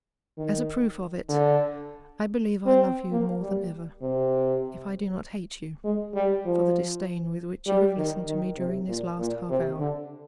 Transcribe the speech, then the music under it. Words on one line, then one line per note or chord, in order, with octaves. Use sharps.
As a proof of it, I believe I love you more than ever--if I do not hate you--for the disdain with which you have listened to me during this last half-hour.
D#3
D3
C4
A#3
G3
C3
G#3
G3
F3
G3
D#3
D#3
C3
A#2
A#2
C3
D3